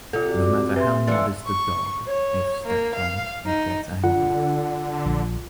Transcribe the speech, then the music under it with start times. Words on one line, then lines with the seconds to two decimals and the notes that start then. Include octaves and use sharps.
No matter how modest the dog, if stepped on, it gets angry.
0.13 C3 F4 A4
0.29 F#4 D5 D6
0.76 B4 E5 C6
1.07 D3 E3 F4 A6 C#7
1.46 C#6
2.07 C#5
2.66 A#3
2.96 F5
3.46 D#4
4.04 D3 F4 F#5
5.06 A#1